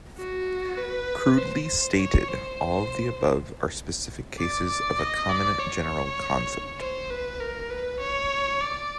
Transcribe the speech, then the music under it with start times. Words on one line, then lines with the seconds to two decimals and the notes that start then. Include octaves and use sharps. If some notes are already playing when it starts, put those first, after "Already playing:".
Crudely stated, all of the above are specific cases of a common general concept.
0.18 F#4
0.77 B4
1.37 C5
1.99 C#5
2.29 C5
4.39 D5
4.69 D5
4.99 D#5
5.29 D5
5.60 C#5
6.79 C5
7.10 B4
7.40 A#4
7.70 B4
8.00 C#5
8.60 D5